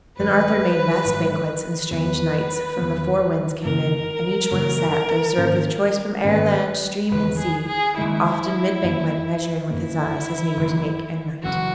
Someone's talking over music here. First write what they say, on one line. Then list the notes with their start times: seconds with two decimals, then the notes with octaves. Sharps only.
"Then Arthur made vast banquets, and strange knights From the four winds came in: and each one sat, Tho' served with choice from air, land, stream and sea, Oft in mid-banquet measuring with his eyes His neighbor's make and might."
0.18 G#1 F#2 D#3 F#3 B4
1.05 G#1 F#2 D#3 F#3
1.91 E2 D#3 F#3 B3 B4
2.78 E2 D#3 F#3 B3
3.64 F#2 C#3 E3 A#3 A#4
4.51 F#2 C#3 E3 A#3
5.37 G#2 D#3 A#3 C#4
6.24 G#2 D#3 A#3 C#4 B4
7.11 F#1 E2 D#3 G#3 B4
7.39 G#4
7.68 G#4
7.97 F#1 E2 D#3 G#3 E4
8.84 F#2 D#3 A#3
9.70 F#2 D#3 A#3 E4
10.57 F#1 F#2 E3
11.43 F#1 F#2 E3 F#4